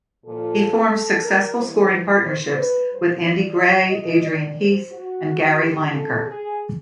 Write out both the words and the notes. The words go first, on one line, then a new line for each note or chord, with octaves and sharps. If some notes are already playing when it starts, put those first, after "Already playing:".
He formed successful scoring partnerships with Andy Gray, Adrian Heath and Gary Lineker.
A#2 F3 A4
A#4
G2 E3 C5
C5
B4
G2 E3 C5
D5
D#5
D#5
G#2 D#3 D5
C5
F#4
G#2 F3 G4
A4
G#4